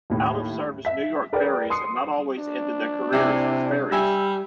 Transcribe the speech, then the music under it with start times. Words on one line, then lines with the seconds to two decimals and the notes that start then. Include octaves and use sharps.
Out-of-service New York ferries have not always ended their careers as ferries.
0.10 D#2 A2
0.85 E5 B6
1.33 G#4 A#4 B4 D5 G5
1.70 C6 D#6 C7 C#7
2.39 D4
3.13 C3 E4 D5 G#5
3.92 G3 E5 G#5